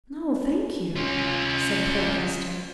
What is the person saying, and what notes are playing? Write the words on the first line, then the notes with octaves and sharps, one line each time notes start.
"No, thank you," said poor Esther.
C#4 F4